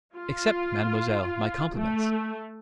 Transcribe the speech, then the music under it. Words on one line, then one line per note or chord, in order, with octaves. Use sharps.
Accept, mademoiselle, my compliments.
F4
A3